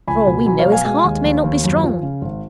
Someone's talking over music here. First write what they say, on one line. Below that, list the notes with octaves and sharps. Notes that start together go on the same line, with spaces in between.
For all we know, his heart may not be strong.
C#2 G#5 B5
B2
F#3 G#5 B5
C#5 F5
B2
F5 G#5
G#3 F5 G#5
D#2
D#2
D#2
F#2
F3
C#3
G#1